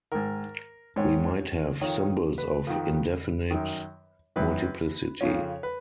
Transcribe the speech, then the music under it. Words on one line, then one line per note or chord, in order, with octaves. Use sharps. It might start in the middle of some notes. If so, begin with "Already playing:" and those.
We might have symbols of indefinite multiplicity.
G#2 D#3 A#4
G#2 D#3 C#5
F2 D#3 C#5
B4
F2 D#3
F#2 D#3
F#2 D#3 B4
F2 C#3 F3 C#5
B4